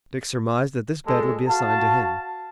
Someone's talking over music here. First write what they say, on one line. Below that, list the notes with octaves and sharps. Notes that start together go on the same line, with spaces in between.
Dick surmised that this bed would be assigned to him.
A#2 G#3 A4
F#4 F5 A5